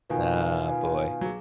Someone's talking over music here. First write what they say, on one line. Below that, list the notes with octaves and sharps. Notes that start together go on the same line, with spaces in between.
Oh boy.
B2 D#3 F4 B4 F5 G#5
F4 B4 F5 G#5
F#3
G#4